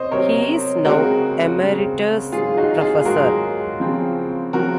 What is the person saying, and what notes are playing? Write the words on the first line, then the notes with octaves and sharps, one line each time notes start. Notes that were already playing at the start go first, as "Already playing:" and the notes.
He is now Emeritus Professor.
Already playing: C3 C4 C5 C#5 D#5
C3 F#3 C4 A#4 C#5
C#3 G#3 C4 F#4 A#4
C#3 G#3 C4
G#2 D#3 F#3 F4 G#4
D#4 F#4
F4 G#4
G#4
G#2 D#3 F#3 F#4 A#4
C#3 F3 C4
C#3 F3 C4 F#4 A#4